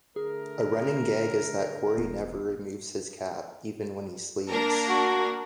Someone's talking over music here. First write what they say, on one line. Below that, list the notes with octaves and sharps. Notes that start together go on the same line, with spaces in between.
A running gag is that Korey never removes his cap, even when he sleeps.
D3 A3 G#4 A#4
E1 B3
A#3 D4 A#4
F#4